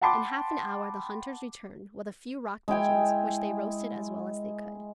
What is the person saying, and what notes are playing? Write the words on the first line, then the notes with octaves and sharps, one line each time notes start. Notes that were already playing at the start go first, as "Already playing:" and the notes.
In half an hour the hunters returned with a few rock pigeons, which they roasted as well as they could.
F#5 G5 A5 B5 C6 D6
G#3 E4 G5 G#5